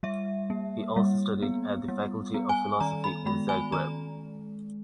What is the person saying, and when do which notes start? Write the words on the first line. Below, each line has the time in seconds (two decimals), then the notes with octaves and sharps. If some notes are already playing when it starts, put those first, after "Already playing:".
He also studied at the Faculty of Philosophy in Zagreb.
0.03 G3 E5
0.50 A#3
0.96 G3
1.42 B3
1.88 G3
2.34 B3
2.49 G#5
2.80 D#3 A#5
3.04 B5
3.26 G#3 B5
3.49 G#5
3.72 D#3 A#5